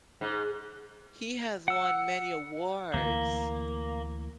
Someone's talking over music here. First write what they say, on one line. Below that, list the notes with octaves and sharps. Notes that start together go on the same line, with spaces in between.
He has won many awards.
G#2
F#5 E6
D2 E3 A#3